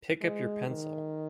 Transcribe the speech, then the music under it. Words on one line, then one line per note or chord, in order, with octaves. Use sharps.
Pick up your pencil.
G#3
D#3